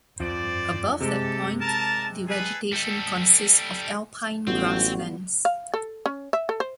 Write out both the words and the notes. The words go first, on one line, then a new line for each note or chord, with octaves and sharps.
Above that point, the vegetation consists of alpine grasslands.
F2 C5 D5
C3 G#3 G4 A4
A#4 A5
G#4 A4 B4
G3 A4
A1 G3 B3 C4 F4 F#4
F5
A4
C#4
E5
A4
C5